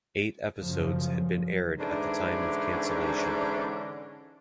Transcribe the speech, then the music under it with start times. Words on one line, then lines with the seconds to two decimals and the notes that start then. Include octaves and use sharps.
Eight episodes had been aired at the time of cancellation.
0.61 F#2 C#3 F3
1.78 G#2 D3 E3 C#4 D4